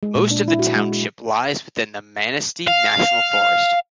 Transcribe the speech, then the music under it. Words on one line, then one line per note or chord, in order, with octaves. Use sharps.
Most of the township lies within the Manistee National Forest.
G#3
A#2
D4
E4
F#4
G#3
G#4
F5